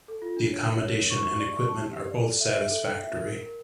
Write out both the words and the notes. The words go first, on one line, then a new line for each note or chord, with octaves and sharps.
The accommodation and equipment are both satisfactory.
A4
F4
D4
C#5
A#4
C#5
A#4
C#6
C#6
D5
C#6
A5
G4
G4
D5
A4
E5
E5
A4
G5
E5
A#4
A#4
A#4